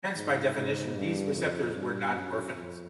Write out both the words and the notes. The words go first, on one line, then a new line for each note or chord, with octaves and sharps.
Hence by definition, these receptors were not orphans.
G#2
G#2
G2
F2
G2
F#2
F2